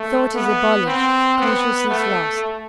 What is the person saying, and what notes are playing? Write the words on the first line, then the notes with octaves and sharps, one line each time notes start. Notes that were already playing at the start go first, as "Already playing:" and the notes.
Thought is abolished, consciousness lost.
Already playing: A3
B3
C4
B3
A3